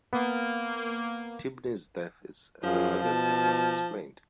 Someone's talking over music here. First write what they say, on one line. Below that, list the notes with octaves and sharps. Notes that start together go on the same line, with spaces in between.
Tibni's death is recorded but not explained.
A#3 B3
F#2 F3 F4 G#4
B2 A5